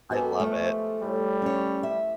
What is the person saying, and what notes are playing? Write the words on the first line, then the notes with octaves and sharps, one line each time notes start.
I love it.
G#3 A#3 B3 F#4 G4 A4
F3 A3 F4 C#6
A2 G3
C#4 C#5
E5